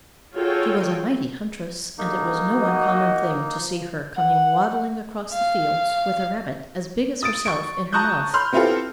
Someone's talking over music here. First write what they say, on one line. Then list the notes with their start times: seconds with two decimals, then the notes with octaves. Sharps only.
She was a mighty huntress, and it was no uncommon thing, to see her coming waddling across the fields with a rabbit as big as herself in her mouth.
0.35 F4 F#4 G#4 A4 C#5 G5
1.98 D3 G3 A#3 D#4
2.53 F#4 D#5
3.57 F3
4.17 F#5
5.33 F5
7.23 D#6 A6 D7
7.45 C#6 D7
7.93 A5 A#5 C#6 D#6 F#6 G6
8.34 B5 C6 F6 G6
8.53 B3 C4 E4 F4 G4 A4